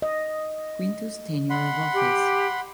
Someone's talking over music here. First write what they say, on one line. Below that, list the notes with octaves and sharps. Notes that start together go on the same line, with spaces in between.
Quintus's tenure of office.
D#5
F#5 B5 C6
G4